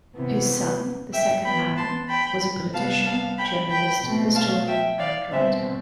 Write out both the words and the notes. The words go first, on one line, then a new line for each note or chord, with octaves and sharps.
His son, the second Baron, was a politician, journalist, historian and writer.
C3 E3 B3
E5 G5
E3 B3 G5 B5
A5 C6
G5 B5
C3 G3 B3 F5 A5
F5 A5
G5 B5
G5 B5
B2 A3 C4
F5 A5
E5 G5
D5 F5
B2 G3 C4 C5 E5